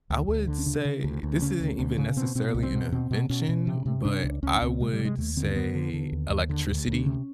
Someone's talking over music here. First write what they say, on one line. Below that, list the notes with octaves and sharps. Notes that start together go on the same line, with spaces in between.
I would say this isn't even, necessarily, an invention, but I would say, electricity
D2
D2
D3
C#4
C#3 D4
C#3
D2
D2
C#3 C#4
D2
D2
C#3
B2 C4
B2 C4
B3
C2
C4
B2
B2 C4
B2
B2 C#4
B2
C3
C3
C3 D4
C#2
C#2 C#4
C#2 C4
C3 G#3
G3
C3
G#3
D#2 A3
D3 C4
C#4
C4
D3 B3
D3
D3
D#2
D#2
D3
D2
D2
D4
C3 C#4